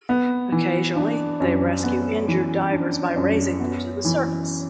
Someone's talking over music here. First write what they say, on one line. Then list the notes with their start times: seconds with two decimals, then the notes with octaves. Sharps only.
Occasionally, they rescue injured divers by raising them to the surface.
0.09 B3
0.52 E3
0.96 D4
1.40 F#2
1.84 B3
2.28 E3
2.72 D4
3.16 F#2
3.60 B3
4.05 E3